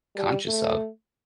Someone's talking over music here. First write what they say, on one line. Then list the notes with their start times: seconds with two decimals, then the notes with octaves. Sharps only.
conscious of.
0.15 G3
0.46 A3